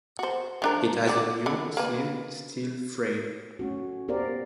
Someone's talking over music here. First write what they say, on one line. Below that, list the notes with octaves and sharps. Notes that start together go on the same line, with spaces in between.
It has a new, slim, steel frame.
F#4 C5
F3 D4 A#4
D3 D5
D3 B5
A#3 B4
A3 C#4 F#4
B3 G4 A#4 C5 D5 F5